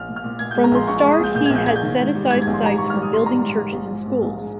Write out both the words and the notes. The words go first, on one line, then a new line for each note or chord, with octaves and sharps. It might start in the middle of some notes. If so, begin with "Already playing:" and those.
From the start he had set aside sites for building churches and schools.
Already playing: A#1 F6
A#2
F6
A#2
A#2 G#6
G6
G#3
A#5
A#1 C6
A#1 C#6
C#6
G#3
D#6
A#1 G6
A#2 G6
A#1 G#6
G6
A#1 G#6
G6
D#3
G#2
G3
G#2 G#6
G#6
A#1
C6
G3 A#5
G#2 C#6
F6
G3
D#6
G3 C6
G3 A#5
G#2
G#2
A#1
G#2
G#2
A#1
G#3